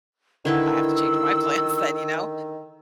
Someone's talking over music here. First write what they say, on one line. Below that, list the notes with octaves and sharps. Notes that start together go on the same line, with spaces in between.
I have to change my plans then, you know?
D3 D#3 E4 B4 E6